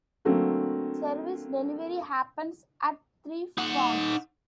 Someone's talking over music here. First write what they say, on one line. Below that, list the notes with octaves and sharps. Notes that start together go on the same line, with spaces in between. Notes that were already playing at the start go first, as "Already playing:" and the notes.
Service delivery happens at three fronts.
D3 F#3 A3 A#3 C4
D#4 F#5